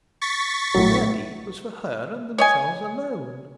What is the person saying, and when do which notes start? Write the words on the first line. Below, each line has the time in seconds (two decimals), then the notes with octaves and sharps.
Their deed was for her and themselves alone.
0.21 C#6 A6 B6
0.74 A#1 A2 F#3
2.38 C#5 D#5 G#5